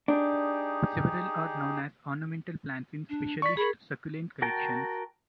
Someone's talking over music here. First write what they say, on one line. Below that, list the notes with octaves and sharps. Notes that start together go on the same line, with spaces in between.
Several are known as ornamental plants in specialist succulent collections.
D4 D#4 G4 G#4
D4
D5 C#6 B6
G#4 A#4 B5
F#4 A#4 G5 A5